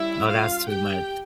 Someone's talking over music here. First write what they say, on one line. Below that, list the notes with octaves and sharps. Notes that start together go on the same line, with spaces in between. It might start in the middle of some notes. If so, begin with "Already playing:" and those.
No, that's too much
Already playing: G3 C#4 E4 E5
F4 F5
G4 G5